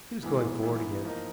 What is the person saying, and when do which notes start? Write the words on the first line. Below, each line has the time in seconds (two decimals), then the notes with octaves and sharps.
He was going forward again.
0.23 G#2 E3 G#3 B3 E4
0.63 G#2 E3 G#3 B3 E4
1.04 F3 A#3 D#4